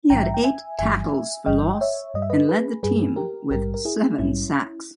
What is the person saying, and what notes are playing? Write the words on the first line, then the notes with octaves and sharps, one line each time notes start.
He had eight tackles for loss and led the team with seven sacks.
A#1 G#2 E3 G3 G5 A#5
E5
G5
E5 G#5
G1 G2 E3 G3 E5 G#5
G1 G2 E3 G3 D#5 G5
C#5 E5
G2 G3 D#5
E5
B4 D#5
G#4 B4
G2 G3 G#4 B4
G4 A#4
A#1 G#2 G3 G4 A#4
A#4
E4 G#4
A#1 G#2 G3 C#4 E4